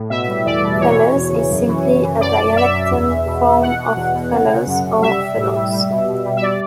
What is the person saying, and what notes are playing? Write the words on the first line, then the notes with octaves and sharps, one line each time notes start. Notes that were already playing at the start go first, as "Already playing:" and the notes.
"Fellers" is simply a dialectal form of "fellas" or "fellows".
Already playing: A2
B2 E5
G3
E2 D5
B2
E3 C#5
E3
E2
C#3
F#2
E3
F#2
E3
F#2 D5
F#2
F#2 E5
F#2
E2
E2
B2
E2
B2 F#5
B2
E2
B2
C#3
C#3
F#2
F#2
G3 E5
G3
A2
G3
G3
B2
B2
G3
E5
D5